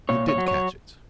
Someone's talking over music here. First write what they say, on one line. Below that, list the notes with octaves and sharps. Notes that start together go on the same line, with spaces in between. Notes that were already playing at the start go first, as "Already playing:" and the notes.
I did catch it.
A#2 C#5
C#5
F#3
C#5